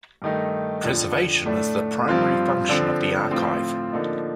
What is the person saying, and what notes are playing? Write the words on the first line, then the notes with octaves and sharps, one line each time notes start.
Preservation is the primary function of the Archive.
G2 D#3 A3 D#4
F2 D3 F3
A2 A3 D4
G2 F3 C4 F4
D3 F3 C4
A2 F3 C4 F4
D3 F3 A#3 D#4